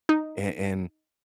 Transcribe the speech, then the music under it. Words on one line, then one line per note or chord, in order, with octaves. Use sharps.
and and,
D#4